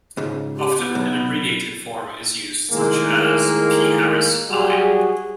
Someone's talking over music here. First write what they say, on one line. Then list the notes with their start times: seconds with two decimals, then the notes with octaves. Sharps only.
Often an abbreviated form is used, such as "pHarris I".
0.17 C#2 G#2
0.57 G4
0.78 B3
0.95 B1
2.70 A2 D#3 G#3 A#3 G#4
4.48 F#3 G3 F#4 G#4